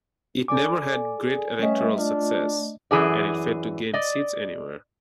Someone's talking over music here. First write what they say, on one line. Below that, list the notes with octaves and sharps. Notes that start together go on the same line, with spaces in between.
It never had great electoral success, and it failed to gain seats anywhere.
A4 D5 G#5 D6
G#4
G3 A3 C#4 B4 D#5 E5
D4 F4
F#2 C3 E3 G#4 D5
D5 D#5